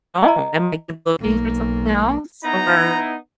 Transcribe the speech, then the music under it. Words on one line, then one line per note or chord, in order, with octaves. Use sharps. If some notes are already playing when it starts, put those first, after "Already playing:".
Oh, am I looking for something else? Or
D#5 A#5
B1 A#3
B3 D#4 E4 A#5